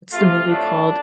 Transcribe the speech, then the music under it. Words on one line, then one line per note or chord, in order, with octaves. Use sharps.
what's the movie called
C3 A3 F4
A2 F3 A3 D4